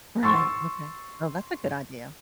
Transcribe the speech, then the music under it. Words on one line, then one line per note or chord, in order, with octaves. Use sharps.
Right, okay. Well, that's a good idea.
C6 C#6 E6 A6